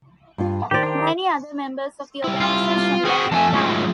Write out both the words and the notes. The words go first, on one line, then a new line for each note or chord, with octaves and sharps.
Many other members of the organization left town.
G2 F4
D#3 G4 C5 D5
D4 G4
G3 E4
F4
C4 F#4 G#4
F2 A4 E5 G#5 A5
G#2 F#3 A3 F4 G#4